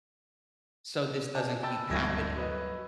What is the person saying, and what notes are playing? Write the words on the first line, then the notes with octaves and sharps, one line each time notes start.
so this doesn't keep happening,
D5 D#5 G#5 A5
G5 A5 B5 E6 A6
D1 D2 G2 A3 G#6 A#6
F#3 B4 D#5